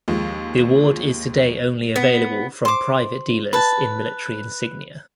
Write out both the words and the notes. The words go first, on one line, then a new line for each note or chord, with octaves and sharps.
The award is today only available from private dealers in military insignia.
D#2 F3 G#3
B3
C5 D6
B4 A5